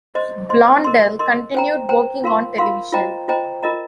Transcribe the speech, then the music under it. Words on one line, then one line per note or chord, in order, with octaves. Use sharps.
Blondell continued working on television.
C5 D#5 C6
C5 D#5 C6
A#4 D#5 C6
A#4 D#5 C6
C5 G5 A#5
C5 G5 A#5
F4 A#4 F5 C6
F4 A#4 F5 C6
F4 C5 D#5 G5 A#5
F4 C5 D#5 G5 A#5
F4 A#4 D#5 A#5